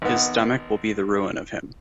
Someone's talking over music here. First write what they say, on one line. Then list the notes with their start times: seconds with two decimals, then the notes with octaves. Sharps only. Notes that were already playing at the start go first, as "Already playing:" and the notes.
His stomach will be the ruin of him.
0.02 G#1 B3